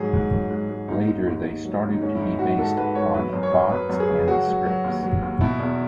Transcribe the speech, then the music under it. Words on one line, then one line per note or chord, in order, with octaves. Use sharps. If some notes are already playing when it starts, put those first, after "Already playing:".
Later they started to be based on bots and scripts.
Already playing: G#2 F#3 G#4
G#2
F#3
G#2
G#2
D#2 D#4
D#2
D#2
D#2
F#3
D#2
D#4
G#2 C#4
E4
E3 D#4
G#2 F#4
G#2 A4
G#2 B4
G#2 C#5
F#3 B4
F#2
C#5
F#2
F#2 B4
F#2
G#4
C#3
F#3 F#4
F#3
F#3
D#2
F#3
D#2
B2 E4
E2